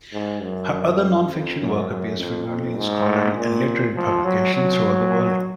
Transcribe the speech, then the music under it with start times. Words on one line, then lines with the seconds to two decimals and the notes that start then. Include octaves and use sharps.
Her other nonfiction work appears frequently in scholarly and literary publications throughout the world.
0.13 G#2
0.42 F#2
1.30 F2
1.60 F#2
1.89 F#2
2.19 F2
2.48 F2
2.77 G#2
3.36 A#2
3.95 F3
4.24 F#3
4.54 F#3